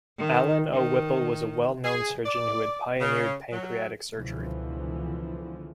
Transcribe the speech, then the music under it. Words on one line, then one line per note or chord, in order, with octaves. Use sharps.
Allen O. Whipple was a well-known surgeon who had pioneered pancreatic surgery.
D#3
D#3
G#4
D5
C#3
F#3
C#2 B2 D3 E3 F3